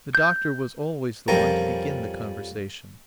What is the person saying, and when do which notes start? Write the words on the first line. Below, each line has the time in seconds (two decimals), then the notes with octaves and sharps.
The doctor was always the one to begin the conversation.
0.15 G6
1.28 F2 F3 G3 C#4 A#4 A#5